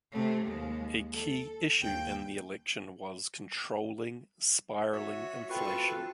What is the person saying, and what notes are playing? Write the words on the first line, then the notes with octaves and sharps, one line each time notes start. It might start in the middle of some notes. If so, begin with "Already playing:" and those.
A key issue in the election was controlling spiralling inflation.
C3 A3
D#2 G#3
A4
D#2 G5
F#4 C#5 E5
C4 F4 F#4 A4 B4 G5 C#6